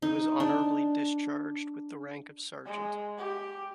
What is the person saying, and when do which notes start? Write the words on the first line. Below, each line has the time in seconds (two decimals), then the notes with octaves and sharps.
He was honorably discharged with the rank of Sergeant.
0.02 D#4
0.40 D4
2.66 G#3
3.18 G4